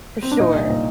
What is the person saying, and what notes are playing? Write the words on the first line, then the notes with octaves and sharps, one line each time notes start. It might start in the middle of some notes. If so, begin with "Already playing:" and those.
For sure.
C4
D4
A#2 D#4
C2
A#2